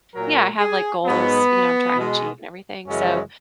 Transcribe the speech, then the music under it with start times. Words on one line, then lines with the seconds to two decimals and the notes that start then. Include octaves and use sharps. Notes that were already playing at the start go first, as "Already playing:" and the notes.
Yeah, I have, like, goals, you know, I'm tryna achieve and everything. So
0.15 A#2 F#3 A#4
0.60 G#4
1.05 G#2 F#3 B3
1.97 B2 G#3
2.87 F#2 C#3 E3 G#3 C#4